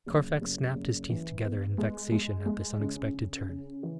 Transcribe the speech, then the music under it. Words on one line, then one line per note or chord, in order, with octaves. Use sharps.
Carfax snapped his teeth together in vexation at this unexpected turn.
F#1
F#1
F#1
E3
B3
G#3
G#3
G#3
C#3
C#3
C#3
E3